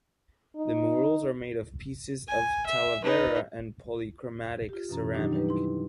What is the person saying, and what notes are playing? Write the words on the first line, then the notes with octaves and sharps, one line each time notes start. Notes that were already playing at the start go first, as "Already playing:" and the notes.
The murals are made of pieces of talavera and polychromatic ceramic.
D#4
G#5
E5
D#4 B4
F4 G4
F#2 B2 E3 C#4 A#5
D#3 F#3 D4 D#4 G4
G3 D#4 G4 B4
E4 C6